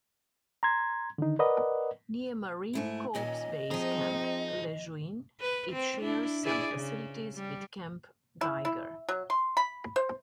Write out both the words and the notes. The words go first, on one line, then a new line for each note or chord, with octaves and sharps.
Near Marine Corps Base Camp Lejeune, it shares some facilities with Camp Geiger.
A#5 C6 G#6
D3 D#3 D#4
A#4 B4 D5 D#5 F#5
G#2 A3 E4
D#2 A#2 C#4 D#5
F3 C4 D#4 G#4
B4
C4
D4 E4
E4 G#4 D5
C#3
G3
E4
E4
F#3
C6
B5
C5